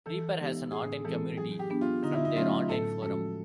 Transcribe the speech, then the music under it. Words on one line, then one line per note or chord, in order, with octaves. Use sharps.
Reaper has an online community, from their online forum.
E3 A4
G#3 B3 D#4 G4
A2 G#4
E3 G#3 C4 E4 A4
F#3 G#4
G4
B3 D4
F4
D3 D#4
E4
D#4
F#3 A3 C#4 F4
A2 A4
F3 G#3 C#4 F#4 A4